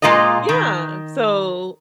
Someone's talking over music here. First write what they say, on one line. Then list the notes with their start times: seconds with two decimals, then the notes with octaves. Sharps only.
Yeah. So
0.02 A#2 G#3 F4 A#4 D#5
0.49 D#3